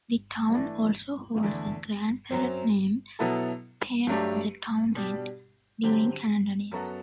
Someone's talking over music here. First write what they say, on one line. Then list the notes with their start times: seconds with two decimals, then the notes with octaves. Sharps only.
The town alsoholds a grand parade named "Paint the Town Red" during Canada Day.
0.54 E3 A3 D4
1.43 E2 D3 A3 D4
2.31 F#2 F#3 C4
3.19 B2 F#3 B3 E4 A4
4.07 G2 F#3 A3 D4 G4
4.95 B2 G3 D4 G4
5.83 D3 F#3 C4 G4
6.71 F#2 F#3 B3 F#4 A4